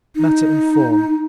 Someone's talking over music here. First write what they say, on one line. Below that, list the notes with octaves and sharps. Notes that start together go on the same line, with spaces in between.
Matter and Form.
D#4